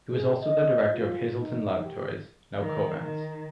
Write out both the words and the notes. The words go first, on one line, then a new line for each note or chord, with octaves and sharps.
He was also the director of Hazelton Laboratories, now Covance.
G#4
D#5
F4
D#4
G4
D#3
D#3